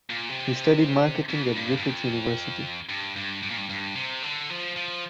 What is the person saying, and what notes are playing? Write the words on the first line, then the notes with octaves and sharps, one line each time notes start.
He studied marketing at Griffith University.
A#2
C3
F2
G2
G2
F2
G2
G2
G2
A#2
G2
G2
C3
D3
F3
F3